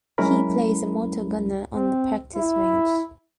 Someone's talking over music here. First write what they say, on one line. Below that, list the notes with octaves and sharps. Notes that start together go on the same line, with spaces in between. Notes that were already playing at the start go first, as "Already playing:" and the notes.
He plays a mortar gunner on the practice range.
F#3 G#3 C#4 E4 A#4 B5
C4
E4